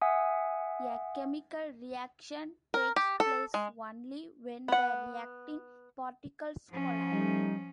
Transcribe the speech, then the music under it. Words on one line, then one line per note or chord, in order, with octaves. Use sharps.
A chemical reaction takes place only when the reacting particles collide.
E5 F#5 G#5 D#6
A#4
G4
A4
G#3
B3 F#5
F3 C#4
G3 A3 D#4